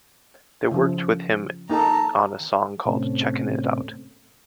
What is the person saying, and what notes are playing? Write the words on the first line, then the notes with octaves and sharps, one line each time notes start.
They worked with him on a song called "Checkin' It Out".
C#3 F3
A#3 D#4 A4 A5 A#5
A2 C3 A3 C4 C#4